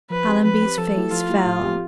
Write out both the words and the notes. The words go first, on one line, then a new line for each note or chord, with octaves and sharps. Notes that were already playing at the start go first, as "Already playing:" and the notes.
Allenby's face fell.
F3 B4
C4 G4
F3 B4
C4 G4
F3 A4
A3 E4 G4
F3 F4
A3 E4 G4
A2
F3 C4 G4